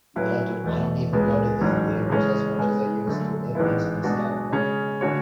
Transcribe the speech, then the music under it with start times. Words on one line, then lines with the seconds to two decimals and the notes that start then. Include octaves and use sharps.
Yeah, dude. I don't even go to the theaters as much as I used to, it makes me sad, man.
0.16 A2 F#3 C#4 E4 B4
0.64 E2 B2 A3
1.13 C#2 C#3 G#3 B3
1.61 A1 G#2 F#3 C#4
2.10 C#3 E3 G#3 C#4
2.58 C#3 G#3 B3
3.07 F#2 D3 A3
3.55 A1 G#2 G#3 B3 E4
4.04 B2 G#3 D4 F#4
4.52 C#3 G#3 C#4
5.01 D3 A3 C#4 F#4 C#5